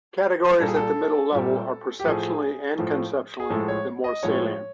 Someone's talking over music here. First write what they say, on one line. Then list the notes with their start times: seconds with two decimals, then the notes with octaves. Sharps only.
Categories at the middle level are perceptually and conceptually the more salient.
0.59 A#2 G3 A4
0.68 G#4
0.76 A4
1.32 A#2 G3
2.00 G4
2.05 A2 F3 A3 G#4
2.77 A2 F3 A3
3.40 G#4
3.50 A2 F3 G#3 A4
3.68 C#5
4.04 D#5
4.23 A2 F3 G#3 C#5